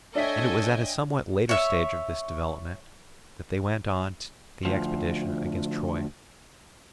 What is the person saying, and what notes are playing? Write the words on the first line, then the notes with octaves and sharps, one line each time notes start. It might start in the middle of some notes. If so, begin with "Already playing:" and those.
And it was at a somewhat later stage of this development that they went on the expedition against Troy.
D4 A4 C#5 D#5 E5 G5 G#5 B6
C#5 E5
D2 F3